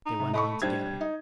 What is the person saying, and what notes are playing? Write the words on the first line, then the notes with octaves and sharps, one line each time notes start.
They went on together.
D#4
C3
A3 D#5 B5 C#6
G3 D4 C5 G#6
D#4